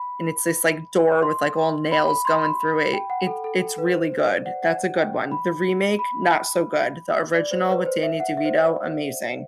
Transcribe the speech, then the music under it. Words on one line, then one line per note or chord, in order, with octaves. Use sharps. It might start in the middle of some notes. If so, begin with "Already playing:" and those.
and it's this, like, door with, like, all nails going through it. It it's really good, that's a good one. The remake, not so good; he original with Danny DeVito, amazing.
Already playing: B5
C6
B5
B5
C6
B5
B5
G5
F#5
A4
A4
A4
B4
C5
C5
D5
F#5
F#5
G5
B5
B5
D5
C5
B4
C5
E5
F#5
E5
C5
D5